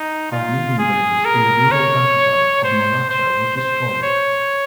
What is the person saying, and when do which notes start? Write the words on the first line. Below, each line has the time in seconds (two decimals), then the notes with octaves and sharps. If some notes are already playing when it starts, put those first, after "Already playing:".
Armenian villages in the rural countryside of Malatya were destroyed.
Already playing: D#4
0.32 F4
0.79 G#4
1.25 A#4
1.72 C#5
2.64 C5
3.10 C5
3.57 C5
4.03 C#5